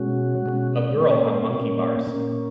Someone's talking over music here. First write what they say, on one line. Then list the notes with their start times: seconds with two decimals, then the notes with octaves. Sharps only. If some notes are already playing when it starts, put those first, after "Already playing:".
A girl on monkey bars.
Already playing: B2 G#3 C#4 F#4
0.46 B2 G#3 C#4
1.00 A#2 A#3 C#4
1.53 A#2 A#3 C#4
2.07 A#2 A#3 C#4